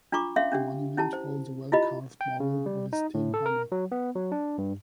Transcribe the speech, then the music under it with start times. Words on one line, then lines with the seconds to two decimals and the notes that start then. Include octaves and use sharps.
The monument holds a well-carved model of his steam hammer.
0.12 D4 F4 A#5 C#6 D6
0.36 C#4 E5 F5 C6
0.52 C#4 D4 G4
0.98 C#4 E4 G4 A5
1.13 C5
1.72 E4 F4 G4 D#5 B5
2.21 G5
2.40 C#3
2.66 G3
2.93 D#4
3.14 A2
3.34 A4
3.46 A#4
3.72 F#3
3.92 B3
4.15 F#3
4.32 D4
4.58 G2